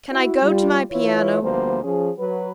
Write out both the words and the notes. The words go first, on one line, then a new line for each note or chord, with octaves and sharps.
Can I go to my piano?
E4 F#4
G3 F4
E3 E4 F4 B4 C#5
D2 F3 G3 A#3 B3 C5
F3 C#4 G#4
F#3 F#4 B4